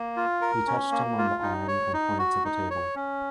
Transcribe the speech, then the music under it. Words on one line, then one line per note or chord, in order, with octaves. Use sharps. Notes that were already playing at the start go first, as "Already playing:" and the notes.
He touched him on the arm and pointed to the table.
Already playing: A#3
F4
A#4
C#4
A#3
F4
D#4
C#5
D#4
F#4
D#4
C#5
C#4